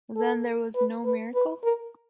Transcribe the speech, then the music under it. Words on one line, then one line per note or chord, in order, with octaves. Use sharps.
Then there was no miracle?
A4
B4
B4
B4
A#4